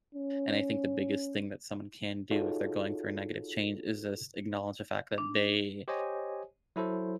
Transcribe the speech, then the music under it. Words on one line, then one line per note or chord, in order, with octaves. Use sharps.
and I think the biggest thing that someone can do, if they're going through a negative change, is just acknowledge the fact that they
C#4
D#4 F4 F#4 G#4 A4 C#5
D4
G4 C5 C#5 D#5 G#5
F#3 E4 A4 C5